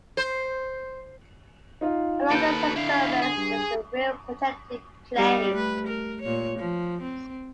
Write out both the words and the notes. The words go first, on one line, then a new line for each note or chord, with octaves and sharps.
Another such surface is the real projective plane.
C5
D#4 F4 F5
D#2 A4 B4 G6 D7
D3 E4 F5
G#4
G2
G3 B3 D#4
A3 B4
A#4
A#2 C#5
F3
C4